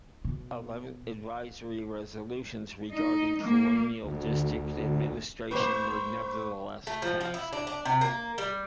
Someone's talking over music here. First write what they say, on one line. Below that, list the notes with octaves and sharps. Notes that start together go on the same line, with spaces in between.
Eleven advisory resolutions regarding colonial district administration were nevertheless passed.
B2
D#4
A#3
D2
A3 C5 B5 C#6
A3
F3
F3
E4
D4
D4
C3
A#3
G3